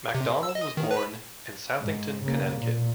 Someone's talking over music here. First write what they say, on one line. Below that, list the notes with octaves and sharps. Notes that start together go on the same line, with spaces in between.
MacDonald was born in Southington, Connecticut.
C3
E6
D#5
D#3
B4
G#2
C#3 A#3
A#2